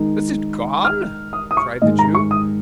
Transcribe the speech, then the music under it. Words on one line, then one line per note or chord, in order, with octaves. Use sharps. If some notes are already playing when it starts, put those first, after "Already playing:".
'Is it gone?' cried the Jew.
Already playing: D#3 G#3 D#4
F6
D#6
D#6
C#6
G#2 D#3 G#3 D#5
A#5
C#6
D#6